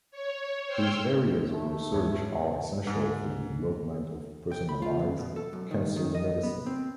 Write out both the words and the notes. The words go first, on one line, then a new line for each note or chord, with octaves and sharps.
These areas of research are essential for the development of personalised cancer medicine.
C#5
C5 C#5 G5 E6 F6 G6
A3
E2 G#2 E3 C#5
G#2
G5
B5
F4
D#2
B2
A4
F#2
D#3
D#3
D#5
B3
C4